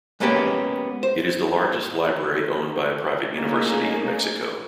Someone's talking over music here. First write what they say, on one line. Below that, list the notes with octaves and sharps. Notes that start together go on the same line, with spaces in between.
It is the largest library owned by a private university in Mexico.
G#3 A#3 B3 C#4 G4
C5
A3 A#3 C#4 D#4 G#4 A#4